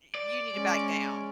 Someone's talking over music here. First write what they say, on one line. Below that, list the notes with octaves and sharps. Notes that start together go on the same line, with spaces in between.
you need to back down
D5
G#3 C#4